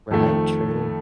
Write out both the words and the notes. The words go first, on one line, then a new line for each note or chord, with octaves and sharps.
Right, true.
F2 D#3 A3 A4